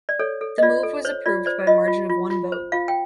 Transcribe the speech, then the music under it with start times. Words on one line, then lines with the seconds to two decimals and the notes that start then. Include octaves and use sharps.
The move was approved by a margin of one vote.
0.09 D5
0.19 A4 C#5
0.41 A4
0.58 D#5
0.63 F4 D5
0.83 A4
1.05 C5 C#5
1.26 F4 D5
1.46 C5 D5
1.67 F4 D#5
1.88 F4
2.10 F4
2.30 F4
2.52 C5
2.72 F4 F5
2.88 G5